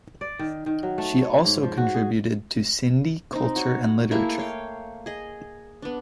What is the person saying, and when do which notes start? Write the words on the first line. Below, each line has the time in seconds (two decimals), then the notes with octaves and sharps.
She also contributed to Sindhi culture and literature.
0.21 D5
0.39 D#3
0.66 D#3
0.83 F#3
0.98 A3
1.22 C#5
1.45 G#2
1.63 F3
1.77 F#4
1.94 G#4
3.33 C4 D#4
3.56 F#4 C#5
4.11 A3 A#3 E4 G#4
4.38 C#5 F5 G5
5.06 G#4 D#5
5.82 B3 D4